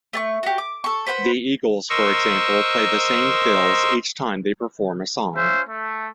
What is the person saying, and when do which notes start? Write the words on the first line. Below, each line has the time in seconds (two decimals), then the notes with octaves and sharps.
The Eagles, for example, play the same fills each time they perform a song.
0.13 A3 A5 C#6
0.43 F#4 G4
0.58 D6
0.84 A4 C#6
1.07 B4 C5 F#5 B5
1.90 A#4 C5 D#5 C#6 E6
5.35 C#4 F4 C5 E5
5.67 A3